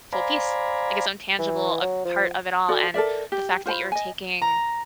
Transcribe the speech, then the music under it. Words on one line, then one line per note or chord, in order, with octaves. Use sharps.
full piece, like its own tangible, uh, part of it all, and the fact that you're taking,
C5 D5 F5 G#5 A#5 B5
E3
F#3
F3
F#4 A4 D5
A4 A#4 D5 E5
G4
F4 C5 G5 B5
D#5 G#5
A#5